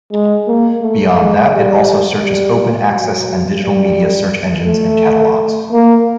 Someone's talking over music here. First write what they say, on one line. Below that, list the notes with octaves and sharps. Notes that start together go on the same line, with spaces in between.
Beyond that it also searches open access and digital media search engines and catalogs.
G#3
A#3
A3
G#3
G3
G3
F#3
G3
A3
A#3